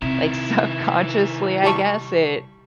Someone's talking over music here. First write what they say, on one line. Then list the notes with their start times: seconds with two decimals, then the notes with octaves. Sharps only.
like, subconsciously, I guess it
0.02 C3 D#3 E4
1.63 G3 A5 C#6